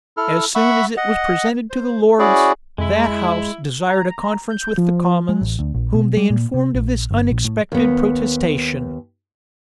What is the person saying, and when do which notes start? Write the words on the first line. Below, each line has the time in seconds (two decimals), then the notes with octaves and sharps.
As soon as it was presented to the lords, that house desired a conference with the commons, whom they informed of this unexpected protestation.
0.17 E4 A4 F6
0.55 E5 F#5 B5 C#6 E6
0.97 D#5 F#5
1.70 C5
2.19 C#4 E4 F#4 G#4 D5
2.78 F2 G#3 E4
3.90 A#5
4.50 G6
4.78 F3
5.29 G#3
5.41 A1
5.59 D2
5.74 A#1
5.94 B2
6.17 G3
6.30 A#2
6.54 C3
6.74 A#1
7.11 G1
7.31 A#1
7.45 A2
7.72 D#2 B3